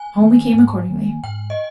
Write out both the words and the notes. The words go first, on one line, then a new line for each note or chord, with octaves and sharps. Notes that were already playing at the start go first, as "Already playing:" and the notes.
Home we came accordingly.
Already playing: G#5
D#3 A#3
G#2
D#3 A#3
G#2 G5
D#5